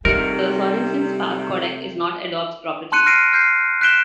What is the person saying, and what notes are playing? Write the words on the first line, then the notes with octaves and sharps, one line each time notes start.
The Sorenson Spark codec is not Adobe's property.
C3 G3 A3 D4 D#4 A#4 F#5
A5 C6 F#6 C#7 D#7
F6 A#6 C7 D7 D#7
F6 G6 C7
F#6 G6 B6 D7 E7 G7